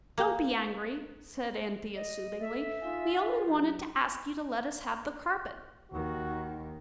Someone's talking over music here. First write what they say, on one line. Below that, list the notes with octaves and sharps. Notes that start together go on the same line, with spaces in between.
'Don't be angry,' said Anthea, soothingly, 'we only wanted to ask you to let us have the carpet.
A#3
D#5
A4 E5
D#4 F4 F5 G#5
F#3 G4 A#5
D#2 D#3 F#4